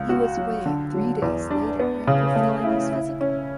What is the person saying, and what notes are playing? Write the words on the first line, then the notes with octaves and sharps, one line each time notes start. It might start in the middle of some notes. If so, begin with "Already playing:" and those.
He was waived three days later after failing his physical.
Already playing: C#2
F#4
F#3
D3
F#3
E2
D4
B3
C#3
A3
E4
E4
C#4